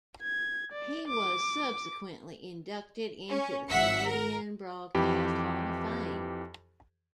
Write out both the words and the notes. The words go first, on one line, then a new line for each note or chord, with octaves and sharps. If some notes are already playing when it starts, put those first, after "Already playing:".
He was subsequently inducted into the Canadian Broadcast Hall of Fame.
G#6
D5
D6
C#4
G#1 E5 F#5 E6 B6 C#7
A#4
F2 E3 G4 B5